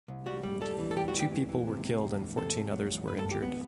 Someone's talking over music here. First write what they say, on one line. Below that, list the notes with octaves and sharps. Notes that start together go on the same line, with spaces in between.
Two people were killed and fourteen others were injured.
C2
G3 F#4
G3
G3 A4
E3
A4
G3 G4
F#4
E3
G4
E3
E3
C3
C3
E2
E2
C3 A4
C3
F#3
E2
G2 B4
A4
G2
G4
B3